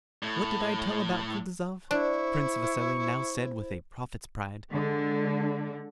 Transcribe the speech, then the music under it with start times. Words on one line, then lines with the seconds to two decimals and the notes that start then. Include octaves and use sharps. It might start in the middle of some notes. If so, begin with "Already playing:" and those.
"What did I tell about Kutuzov?" Prince Vasili now said with a prophet's pride.
0.23 A2
1.91 D4 E4 C5 C#6
4.71 D3 G#3